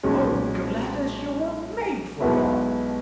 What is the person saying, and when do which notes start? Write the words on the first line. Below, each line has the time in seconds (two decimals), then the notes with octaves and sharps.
Oh, Gladys, you were made for love!
0.03 B1 A#2 G#3 C#4
2.20 B1 B2 G#3 B3 E4